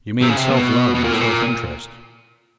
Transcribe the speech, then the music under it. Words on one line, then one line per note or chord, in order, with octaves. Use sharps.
You mean self-love and self-interest.
C3
C#3
C3
B2
B2
A#2
A2
A#2